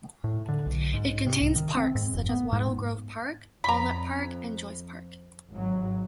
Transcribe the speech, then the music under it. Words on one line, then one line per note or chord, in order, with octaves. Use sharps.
It contains parks such as Wattle Grove Park, Allnutt Park and Joyce Park.
A2
D3
B1
G#2
C3
C2
D#3
C4
G#2
F1
B3
G#2
F2 A#5 B5
G#1 F#3